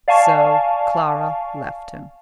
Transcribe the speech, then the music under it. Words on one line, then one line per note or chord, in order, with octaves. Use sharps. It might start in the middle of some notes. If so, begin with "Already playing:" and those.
So Clara left him.
D5 F5 G#5 A5 C#6